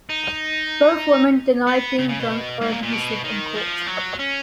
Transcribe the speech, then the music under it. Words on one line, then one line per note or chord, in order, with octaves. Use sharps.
Both women denied being drunk or abusive in court.
D#4
B3
C#3
C#3
B2
G#2
A#2
A#2
B2
D#3
F3
F#3
C#4